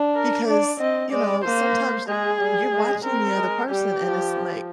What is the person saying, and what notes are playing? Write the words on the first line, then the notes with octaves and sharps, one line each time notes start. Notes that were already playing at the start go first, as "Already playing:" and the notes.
because, you know, sometimes you're watching the other person and it's, like
Already playing: D4
A#4
D4 D5
C4 D#5
G#3 D5
A#3 C5
G#3 G#4
G3
G#3
C4 A#4
G#3
G3 G4
F3